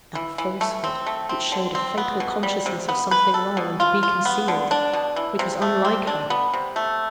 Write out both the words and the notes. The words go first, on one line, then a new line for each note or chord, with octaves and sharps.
But that falsehood! which showed a fatal consciousness of something wrong, and to be concealed, which was unlike her.
E3
E3
A3
C4
A3
C4
D3
C4
B3
B2
G3
C3
B3
B4
A4
B2
F4
F4
B3
D3
D4
B2
E3
C3
A3
C4
D4
B3
C3
A3